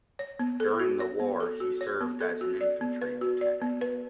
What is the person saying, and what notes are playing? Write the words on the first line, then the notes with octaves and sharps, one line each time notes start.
During the war, he served as an infantry lieutenant.
C#5
B3
A4
F#4
C#5
B3
A4
F#4
C#5
B3
A4
F#4
D5
B3
B4
F#4
D5
B3
B4